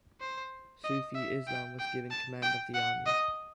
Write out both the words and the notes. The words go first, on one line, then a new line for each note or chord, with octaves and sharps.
Sufi Eslam was given command of the army.
C5
D#5
E5
G5
G5
A5
G5
F#5
D#5